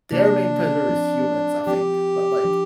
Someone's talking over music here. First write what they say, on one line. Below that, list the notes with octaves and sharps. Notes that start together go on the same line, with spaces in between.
their main predator is humans, I think, but, like,
C3 F3 A#3 D4
F3 C4
F3 C4 G4
F3 D4